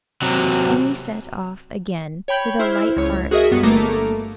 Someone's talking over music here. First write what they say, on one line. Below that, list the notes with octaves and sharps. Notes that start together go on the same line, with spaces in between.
Henry set off again with a light heart.
C3 F#3
C#5 G5 B5 G6
E4 C5 E5 F6
C#2 C#5
F#4 G#4 A#4 D#5 E5
G2 B3 C#7
G1 A3 A#3 A#5 D6